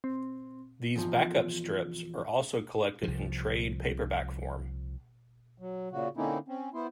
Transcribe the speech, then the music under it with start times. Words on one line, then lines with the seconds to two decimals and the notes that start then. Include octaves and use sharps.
These back-up strips are also collected in trade paperback form.
0.04 C4
0.96 E2 F3
3.03 C2 F3
5.58 F#3
5.92 A#2 C#3 F#4
6.17 D3 A#3 C4 C#4 D#4 E4
6.48 C4 C#4
6.74 B3 E4 C5